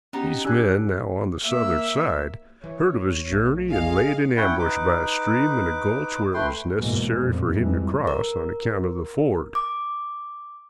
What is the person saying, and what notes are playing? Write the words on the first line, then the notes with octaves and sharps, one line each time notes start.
These men--now on the Southern side--heard of his journey and laid in ambush by a stream in a gulch where it was necessary for him to cross on account of the ford.
B3 C#4 D#4 G4
D4 G4 G#5 E6 F#6
A#3 E5
E3 C#5
A#1 A3
G#4 D#5 F5
C#4 E4 F#5 G5
D#4 B4 D6
A3 B4 G5 C6
E2 G#2 B2 G#3 A#3
F2 A#2
F2 G#2 E3 G3 G#3
A#4
D6